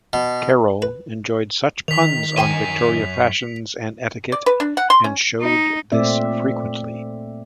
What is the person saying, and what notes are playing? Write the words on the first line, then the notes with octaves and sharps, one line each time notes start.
Carroll enjoyed such puns on Victorian fashions and etiquette, and showed this frequently.
B2
B4
D#3 B6 F7
F#2 C5 G5 G#5 C6
D5
B4
D4
F#5
C6
C#4
D#4
A#2 A3 C4 D5 E5